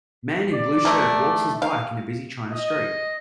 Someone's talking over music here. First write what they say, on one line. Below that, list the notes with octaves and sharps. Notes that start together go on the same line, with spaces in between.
Man in blue shirt walks his bike in busy China street.
D5
A3 A#3
F5
D#5